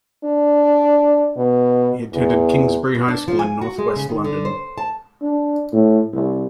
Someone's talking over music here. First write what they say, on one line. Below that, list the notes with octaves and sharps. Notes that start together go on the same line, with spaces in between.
He attended Kingsbury High School in North West London.
D4
B2
E2
B2
D4
F3
G#5
F#4
G#3
C#3
D#3
D3
C5
A5
D4
A2
C2